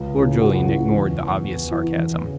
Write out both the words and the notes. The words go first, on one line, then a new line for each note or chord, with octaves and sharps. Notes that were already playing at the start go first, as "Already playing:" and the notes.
Lord Julian ignored the obvious sarcasm.
Already playing: C#2
C#3 E3
C#2 F#4
C#3 E3
E2
E3
E2
E3
E2
C#3